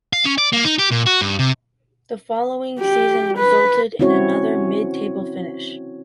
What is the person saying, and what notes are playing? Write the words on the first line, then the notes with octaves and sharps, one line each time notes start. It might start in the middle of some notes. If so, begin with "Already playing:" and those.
The following season resulted in another mid-table finish.
F5
C#4
D5
A#3
D#4
G4
A#2
F#4
G2
C3
G4
B4
C4 C#4 E4 F#4 C#5